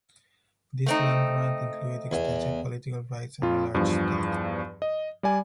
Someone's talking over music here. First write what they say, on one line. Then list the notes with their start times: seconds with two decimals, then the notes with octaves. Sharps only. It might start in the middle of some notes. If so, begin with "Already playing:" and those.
This land grant included extensive political rights and a large estate.
0.86 A3 C4 D#4
2.11 E2
3.42 F2 F4
3.74 E2 G2 F3
4.82 D#5
5.23 G3 D5 G#5